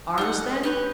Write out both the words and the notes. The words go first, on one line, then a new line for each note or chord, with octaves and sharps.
"Arms, then?"
D#4 F5 F#5
G4 B4 C#5